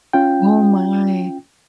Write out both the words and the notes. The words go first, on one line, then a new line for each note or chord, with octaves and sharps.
Oh my.
C#4 F4 G5